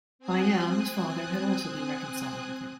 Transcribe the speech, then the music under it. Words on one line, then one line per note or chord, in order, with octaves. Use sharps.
By now his father had also been reconciled with him.
C4 G#5 D#6 F#6